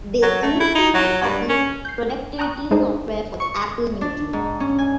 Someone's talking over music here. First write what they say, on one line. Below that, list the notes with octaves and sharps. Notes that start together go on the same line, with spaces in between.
They initially published productivity software for the Apple Newton.
F#3
A3
E4
D#4
F#3
G2
C#4
G6 C7
G5 A5 A#5 C#6 D#6 F#6
G#3 D4 D#4 G#4 C5
C#6
D4
G#2
C#4
G#5